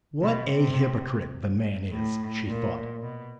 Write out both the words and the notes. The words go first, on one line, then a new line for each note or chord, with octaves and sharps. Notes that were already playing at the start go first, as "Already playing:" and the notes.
"What a hypocrite the man is!" she thought.
B2
C3
A2
A#2
B2